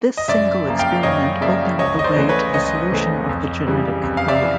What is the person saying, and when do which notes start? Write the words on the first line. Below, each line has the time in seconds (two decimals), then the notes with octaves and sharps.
This single experiment opened the way to the solution of the genetic code.
0.17 D#5
0.28 F#2 D5 E5
0.66 C#3 F3 A#3
0.79 F5 G5
1.03 F#2 C#5 D#5
1.41 C#3 F3 A#3 D5 E5
1.79 C#2 C#5 D#5
1.99 D#5
2.04 C5 D5
2.16 C#3 E3 A3
2.29 B4 C#5
2.53 C#2 C#5 D#5
2.91 C#3 E3 A3
3.29 F2
3.67 C#3 E3 G3
4.03 F2
4.17 F5
4.28 D5 E5
4.42 C#3 E3